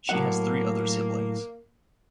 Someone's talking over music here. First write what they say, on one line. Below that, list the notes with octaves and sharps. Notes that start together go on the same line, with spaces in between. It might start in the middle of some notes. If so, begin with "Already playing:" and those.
She has three other siblings.
A2 F#3 A#3 F#5